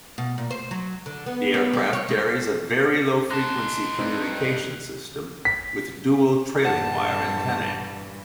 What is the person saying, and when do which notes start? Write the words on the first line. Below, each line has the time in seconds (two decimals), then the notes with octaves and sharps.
The aircraft carries a very low frequency communication system with dual trailing wire antennae.
0.18 B2
0.38 A#2
0.51 C5
0.71 F#3
1.06 D3
1.26 B3
1.54 B3
1.73 G3
1.93 C#5
2.09 G#3
3.31 D#4 A5 C6 F#6 A#6
3.99 G2 C4 D#4
5.45 B6
6.65 G2 A#2 E3 F#5 A5